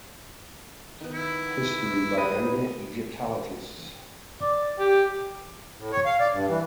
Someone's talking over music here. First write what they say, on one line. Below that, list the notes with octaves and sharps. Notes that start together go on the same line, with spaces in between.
History by Eminent Egyptologists.
D#3 B3
E4
G3 D#4 B4 D#6
D5
G4
A2
C#5
F5
D5
G2
E3